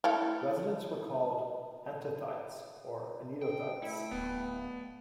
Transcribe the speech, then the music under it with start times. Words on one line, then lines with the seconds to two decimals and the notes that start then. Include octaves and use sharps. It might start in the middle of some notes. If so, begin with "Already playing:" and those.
Residents were called Antothites or Anetothites.
0.04 A3 E4 F5
3.42 G5
3.82 A3 E4
4.11 D1 B3